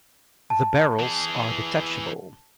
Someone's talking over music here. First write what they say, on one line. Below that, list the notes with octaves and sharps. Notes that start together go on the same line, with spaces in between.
The barrels are detachable.
A5
E3 G#4